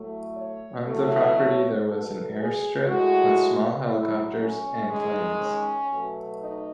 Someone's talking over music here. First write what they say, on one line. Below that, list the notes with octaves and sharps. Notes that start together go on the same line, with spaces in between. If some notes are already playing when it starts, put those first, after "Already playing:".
On the property there was an airstrip with small helicopters and planes.
Already playing: A2 F#3 A3
C#5
A2 F#3 A3
C#5
B2 F#3 A3 A4
G#4
A2 G#3 F#4
B2 F#3 A3 E4
C#4
D#3 G#3
C#4
B2 F#3 A3
D#4